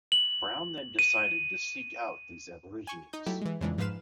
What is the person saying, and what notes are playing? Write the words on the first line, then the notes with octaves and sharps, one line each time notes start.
Brown then decided to seek out these Aborigines.
F#7
D#7
G#5 C#6
D#4 D#6 G6
F#3 A3 E4 G4
E3 G#3
F2 C#3 E3 G#3 D4
G#2 F3 F4 B4 F5 E7